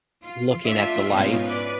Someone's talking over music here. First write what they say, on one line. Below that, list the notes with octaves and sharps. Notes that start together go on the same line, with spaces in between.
looking at the lights
F4
A3 D4 F4 E5
G#2 B2 C#4 D#4 F4
B4 D5